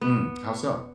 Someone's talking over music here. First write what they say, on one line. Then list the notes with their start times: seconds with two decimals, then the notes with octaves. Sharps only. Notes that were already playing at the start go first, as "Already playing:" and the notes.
Hmm, how so?
0.01 B3